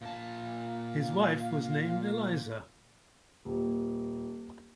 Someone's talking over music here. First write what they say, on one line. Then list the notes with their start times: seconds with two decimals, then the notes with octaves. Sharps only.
His wife was named Eliza.
0.02 A#2 F5 A5
3.45 D#1